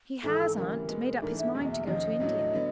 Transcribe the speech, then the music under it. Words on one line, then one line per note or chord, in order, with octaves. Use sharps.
"He has, aunt, made up his mind to go to India."
G#1 G#2 E3 A4
D2 C#3 E3 G3 A#4
B2 G#3 B3
G#2 E3 A3 D4 A#4
E5
F#1 E2 B2
D#5
E5
D#2 C#3 F3 D#5
A2 F#3 A3 D4
D3 F#3 B3